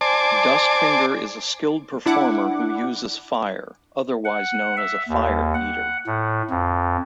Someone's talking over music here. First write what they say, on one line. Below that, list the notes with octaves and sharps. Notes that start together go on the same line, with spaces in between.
Dustfinger is a skilled performer who uses fire, otherwise known as a fire-eater.
C5 D5 G#5 A5 D6
D4 E4 F#5 D6
F#5
E5
D#2
F#5
A2
F2